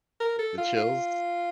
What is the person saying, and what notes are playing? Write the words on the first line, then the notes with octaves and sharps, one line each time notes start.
Uh, the chills?
A#4
A4
F4
F4